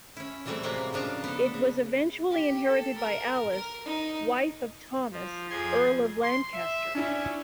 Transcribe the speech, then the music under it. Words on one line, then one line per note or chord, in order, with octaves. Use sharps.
It was eventually inherited by Alice, wife of Thomas, Earl of Lancaster.
C#4 E4
E3 F#3 G3 A3 C4 G#4
A2 C3 F#3 G#3 A#3 C4
C#3 F3 D4 F5 A#5
B3 A4
C#3
G4
A4
A#4
A#4
D#4
F3
F2 F3 G#4 C6 G#6
C6
E5
C#4 D4 E4